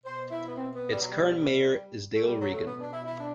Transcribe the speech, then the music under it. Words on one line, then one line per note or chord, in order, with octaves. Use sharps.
Its current mayor is Dale Reagan.
B2 C5
E4
B3
C4
B3
G3
F#3
G3
B2 A3
G3
F#3
A3
B3
D4
E4
E4
D4